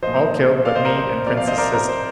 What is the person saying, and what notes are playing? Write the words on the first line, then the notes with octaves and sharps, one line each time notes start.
All killed but me and Prince's sister.
A#2 F3 C5 D#5
D5 F5
C5 D#5
A#4
C5
C3 F3 A#4 D5
D5 F5
C5 D#5
A#4 D5
A#4
C5